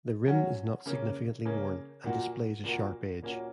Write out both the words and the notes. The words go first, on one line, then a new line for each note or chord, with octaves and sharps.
The rim is not significantly worn, and displays a sharp edge.
F#3 C#4 F#4
C#3 A#3 C#4
C#3 A#3 C#4
A#2 A#3 F#4
A#2 A#3 F#4
A#2 A#3 C#4 F#4